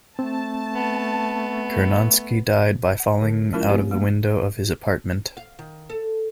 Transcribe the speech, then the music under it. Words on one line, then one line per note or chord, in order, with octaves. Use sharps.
Curnonsky died by falling out of the window of his apartment.
A3 C4 A5
B3
F#5
D3
F3 G#3 C#4 E4 F4 A#4
A3 C4 G4 C#5
G#3 A#3
F5
D#3
A4